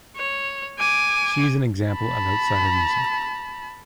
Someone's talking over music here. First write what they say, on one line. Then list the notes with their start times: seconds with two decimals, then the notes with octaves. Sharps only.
She is an example of outsider music.
0.17 C#5
0.78 G#5 D6
1.94 A5 B5